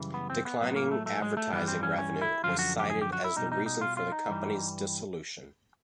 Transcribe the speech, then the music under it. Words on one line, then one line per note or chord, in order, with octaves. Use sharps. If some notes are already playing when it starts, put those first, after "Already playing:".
Declining advertising revenue was cited as the reason for the company's dissolution.
Already playing: F#2 C#3 E3 G3
B3
C4
B3
A2 F#3 B3
A#3
A3
A3
G#3
A3
G2 E3 G3 B3
C4
C#4
C#4
E4
F#2 D3 F3 F4
F#4
G4
G#4
G4
F#4
E4
B2 G3 D#4
D#4
D#4
F4
F4
D#4
G2 E3 G3